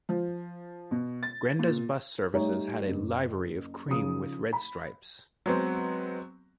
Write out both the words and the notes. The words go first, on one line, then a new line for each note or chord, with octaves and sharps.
Grenda's Bus Services had a livery of cream with red stripes.
F3
B2
A6
A#2
G3 A3 D#4 G4 C#5
F#1
C#3 F3 D#4 F4 G#4 D#6
B5
F#3 G#3 B3 C4